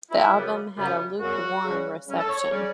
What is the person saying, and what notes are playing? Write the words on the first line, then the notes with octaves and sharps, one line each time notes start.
The album had a lukewarm reception.
E4
F#2 C#3 G3 B3
F#2 C#3 G3 B3
F#2 C#3 G3 B3 F#4
C#3 G3 C#4
C#3 G3 C#4
A4
C#5
C#5
C#3 G3 C#4 D5